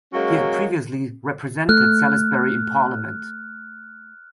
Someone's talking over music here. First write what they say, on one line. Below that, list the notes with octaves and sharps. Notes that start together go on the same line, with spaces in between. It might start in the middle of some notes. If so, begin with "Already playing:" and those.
He had previously represented Salisbury in Parliament.
F#3 G#3 A#3 C#4
A3 F6 F#6